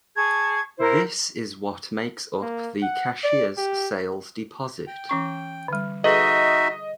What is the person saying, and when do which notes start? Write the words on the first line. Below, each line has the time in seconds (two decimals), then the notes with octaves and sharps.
This is what makes up the cashier's sales deposit.
0.15 G#4 A5 C#6 G#6
0.78 E4 A#4 C5
2.42 A#3
2.82 F#5
3.24 D5
3.58 G4
4.87 G5
5.09 E3 C#4 C#6
5.68 D3 G3
6.04 D#4 F#4 G#4 A4 B4 D#5 E5